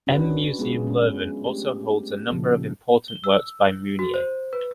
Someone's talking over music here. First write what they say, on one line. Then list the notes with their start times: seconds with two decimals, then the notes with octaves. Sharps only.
M - Museum Leuven also holds a number of important works by Meunier.
0.07 C#4 D4 F#4 B4
0.59 F#3 G#3 B3 E4 F4 G#4
0.87 G#3 C#4
1.45 A3 G4
2.30 A#2 C#3 F3 A4
3.08 G7
3.24 E6
3.99 F#4
4.14 C5
4.53 B4